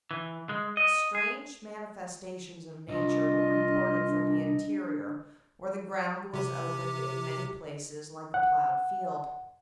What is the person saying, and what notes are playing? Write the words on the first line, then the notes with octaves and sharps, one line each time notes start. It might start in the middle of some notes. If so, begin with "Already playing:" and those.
Strange manifestations of nature were reported from the interior, where the ground was opened in many places like a ploughed field.
E3
G#3
D#5
G#4
C2 D4 F4 D#5
C3 G4
F#5